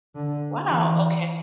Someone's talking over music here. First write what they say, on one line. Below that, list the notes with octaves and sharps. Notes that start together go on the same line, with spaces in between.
Wow, okay.
D3
E3